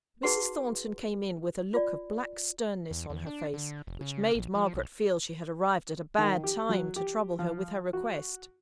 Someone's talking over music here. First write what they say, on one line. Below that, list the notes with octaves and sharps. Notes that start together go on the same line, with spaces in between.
Mrs. Thornton came in with a look of black sternness on her face, which made Margaret feel she had arrived at a bad time to trouble her with her request.
D#4 F#4 G#4 B4 F#5 C6
F4 D5
E2
E2
D4
D3
F1
C#3
A#1
F3
B1
D#3
G4
F#3
G4
F3
F#4